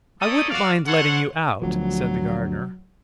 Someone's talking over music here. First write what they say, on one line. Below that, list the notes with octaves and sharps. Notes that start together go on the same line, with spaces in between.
"I wouldn't mind letting you out," said the Gardener.
A3 D#4 A4 C#5 D5 D#6
F#4 D5 F5
A4 C5 C#5 F#5
D2 F3 F#3